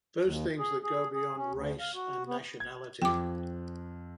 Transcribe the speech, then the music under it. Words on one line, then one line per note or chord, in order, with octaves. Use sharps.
Those things that go beyond race and nationality.
D#2
G#4
G#4
G#4
C#4
D2
F5
F#4
B3
G#6
F2 G5 D6